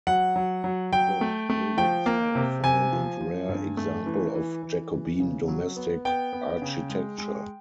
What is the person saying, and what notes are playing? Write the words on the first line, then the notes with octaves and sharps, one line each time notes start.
The buildings are a fine and rare example of Jacobean domestic architecture.
F#3 F#5
F#3
F#3
F#3 G5
A3
A3
F3 G5
A#3
C3
C3 G#5
F3
F3
G2
A3
E3
E3
E3
E3
C#3
F#3
B3
B3 G5
B3
C#3
G#3
G#3